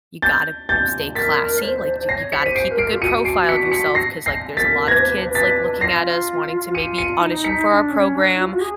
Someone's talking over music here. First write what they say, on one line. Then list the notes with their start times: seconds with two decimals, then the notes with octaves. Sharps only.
you gotta stay classy," like, "you you gotta keep a good profile of yourself 'cause," like, "there's a lot of kids," like, "looking at us wanting to maybe audition for our program,
0.22 G6 A6
0.69 G6 A6
1.15 A#4 A6 B6
1.62 C#5
1.66 C5
2.09 C#5 A#6 C7
2.32 B6 C#7
2.40 C5
2.46 D#7
2.55 C7 D7
2.71 A#4
2.78 C7 D7
2.93 F4
3.02 F#4 C#7 D#7
3.25 C7 D7
3.49 B6 C#7
3.72 B6 C#7
3.95 A#6 C7
4.26 A#6 C7
4.57 A#4 A6 B6
4.88 B4 G#6 A#6
4.98 C5
5.09 B4
5.20 C5
5.30 B4
5.35 A6 B6
5.81 F4 A#6 C7
6.75 F4 C#7 D#7
6.98 C#7 D#7
7.21 D#4
7.44 B6 C#7
7.68 D#4
7.72 D4
7.91 C#4
8.15 D4
8.38 F#4
8.45 F4
8.53 F#4
8.61 G#4